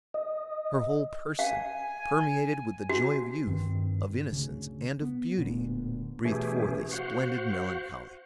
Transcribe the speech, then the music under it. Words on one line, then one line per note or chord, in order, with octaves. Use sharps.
Her whole person, permeated with the joy of youth, of innocence, and of beauty, breathed forth a splendid melancholy.
D#5
F5 G#5
F#4
G2 D#3 C4
D2 C#3
B3
D1 D2 A#2 B3
B2 E3 A3 C#4 G4 G#4
F#4 C5 F5 F#5